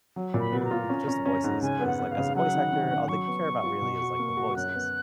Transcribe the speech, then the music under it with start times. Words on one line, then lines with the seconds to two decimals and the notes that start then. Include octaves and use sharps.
I do just voices 'cause, like, as a voice actor, all they care about really is, like, the voices.
0.16 F#3
0.34 A#2
0.40 B5
0.52 B3
0.61 B5
0.65 A#5
0.71 F4
0.89 C#4
1.08 C#4
1.26 C#4
1.44 G#2
1.62 C#3 G#5
1.81 B3
1.87 F#5
1.99 B3
2.12 F5
2.18 C#3
2.35 F#3 F#5
2.54 D#3
2.73 D#3
2.91 C#4
3.09 F#3 C#6
3.27 B3
3.46 B3
3.64 F4
3.82 B2
4.01 F#4
4.19 A#3
4.37 F#4
4.56 F#2 F#6
4.75 B3